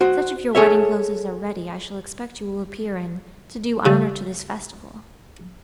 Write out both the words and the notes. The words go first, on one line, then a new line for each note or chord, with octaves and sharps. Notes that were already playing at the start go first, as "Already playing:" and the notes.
Such of your wedding clothes as are ready I shall expect you will appear in, to do honour to this festival.
F#4 C5
G#4 A4 C#5 E5
C#3 G3